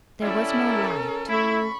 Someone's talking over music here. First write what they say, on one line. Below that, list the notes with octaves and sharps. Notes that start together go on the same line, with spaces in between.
There was no light.
G3 C#4 E4 A4 D5
A#4
A3 E4 B5 C#6